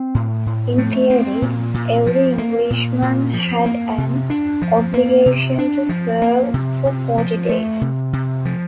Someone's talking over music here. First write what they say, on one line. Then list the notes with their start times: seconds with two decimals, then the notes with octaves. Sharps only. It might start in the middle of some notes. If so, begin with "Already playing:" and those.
In theory, every Englishman had an obligation to serve for forty days.
Already playing: C4
0.15 A2
0.46 A2
0.78 A3
1.10 C4
1.42 A#2
1.74 A#2
2.06 F3
2.38 A#3
2.70 A#2
3.02 A#2
3.34 F3
3.66 A#3
3.98 C3
4.30 D4
4.62 F3
4.94 A#3
5.26 C3
5.58 D4
5.89 F3
6.22 A#3
6.54 C3
6.85 C3
7.18 F3
7.49 A3
7.81 C3
8.13 C3
8.45 F3